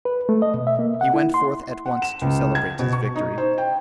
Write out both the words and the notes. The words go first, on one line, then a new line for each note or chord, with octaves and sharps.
He went forth at once to celebrate his victory.
B4
A3
D#5
B2
E5
A#3
F#5
E4
C6
F#5
E7
C#2
G#6
B2
C#6
D#4
C5
G5